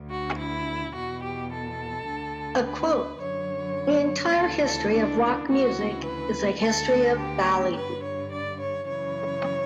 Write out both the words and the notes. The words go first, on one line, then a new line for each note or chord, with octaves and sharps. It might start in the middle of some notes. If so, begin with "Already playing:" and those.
A quote: The entire history of rock music is a history of ballyhoo.
Already playing: D2 D3
F#4
E4
E2 B2 F#4
G4
A4
D2 D3
B4
F#2 D3 C#5
D2 C#3 E3 A4
A4
D4
D2 C#3 E3 F#4
B4
D2 D3 A4
G4
G2 D3 B4
C#5
D5
C#5
F#2 C#3 E3 C#5